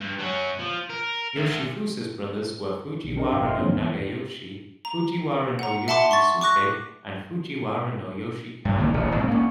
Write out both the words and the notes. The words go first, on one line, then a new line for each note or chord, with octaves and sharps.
Yoshifusa's brothers were Fujiwara no Nagayoshi, Fujiwara no Yoshisuke and Fujiwara no Yoshikado.
G2
F#3 C#4
F3
A#4
D2
B1
C4 D4 A#4 D#5
G#1 F#2 F5 G5
D#5 E5 C6 F6
D#3 F3 F#3 A#3 C4 D4
D#2 E3 B3
A#5
F#5 A#5
E5 F#5 A5 B5 C6 D6
C6 C#6 A6
C#6 D6 F#6 A#6
G2
C2 D3 D#3 A#3
D1 A1 D2 A#2
G#2 B2 A3 C4
A#3 C#4